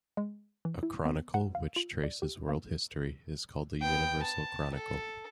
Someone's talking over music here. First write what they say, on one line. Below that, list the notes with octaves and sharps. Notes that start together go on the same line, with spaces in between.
A chronicle which traces world history is called a universal chronicle.
G#3
E3
E4
B3
F#5
F5
F4
D5
G4
A#3
B3 G5
A5
A4